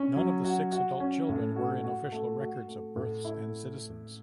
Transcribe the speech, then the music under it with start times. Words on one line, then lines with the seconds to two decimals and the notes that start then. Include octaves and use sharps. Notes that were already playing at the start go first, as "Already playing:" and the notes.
None of the six adult children were in official records of births and citizens.
Already playing: C#4
0.16 F#3
0.44 F#4
0.72 F#4
1.00 C#4
1.29 A2
1.56 F#4
1.84 F#4
2.12 A3
2.40 F#4
2.68 A3
2.96 A2
3.25 E4